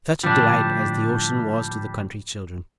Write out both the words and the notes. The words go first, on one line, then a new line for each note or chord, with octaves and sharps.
Such a delight as the ocean was to the country children!
A2 D3 F3 G3 D4